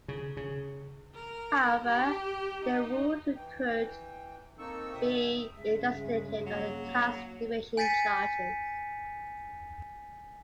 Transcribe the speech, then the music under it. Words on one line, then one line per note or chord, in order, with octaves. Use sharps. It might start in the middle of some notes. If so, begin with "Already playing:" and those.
However, they ruled, he could be extradited on the tax evasion charges.
C#3
C#3
A#4
G4
D#4
E3 G5
A#3 C4 D#4 A4 C#6 E6
B2 E5 G5 D#6
G2 C#3 G#3 E5
F#3 A#3
G#5 G6 A6 B6 C#7 D#7